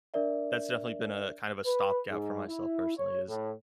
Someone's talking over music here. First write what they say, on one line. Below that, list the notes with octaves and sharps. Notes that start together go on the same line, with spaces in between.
that's definitely been a kind of a stopgap for myself personally is
D4 A#4 D5 E5
B4
G#2
E4
C#5
A2